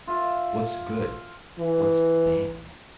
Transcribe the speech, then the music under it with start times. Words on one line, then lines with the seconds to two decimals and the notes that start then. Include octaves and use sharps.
What's good, what's bad?
0.07 F4 E5
1.59 E3